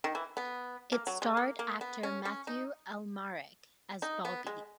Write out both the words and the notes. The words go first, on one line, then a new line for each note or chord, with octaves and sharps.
It starred actor Mathieu Amalric as Bauby.
D#3
E3
B3
A#3
F#3
G#3
A#3
A#3
B3
C#4
C#4
D#4
D#4
B3
G#3